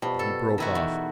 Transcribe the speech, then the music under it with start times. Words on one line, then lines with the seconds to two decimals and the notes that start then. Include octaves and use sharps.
He broke off.
0.02 B2 F3 G3 A5
0.19 A4
0.58 D#3 D#4 E4 F#4
0.75 E2